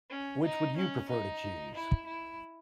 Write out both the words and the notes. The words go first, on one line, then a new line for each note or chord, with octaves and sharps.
Which would you prefer to choose?
C#4
D#4
C#4
D#4
E4
E4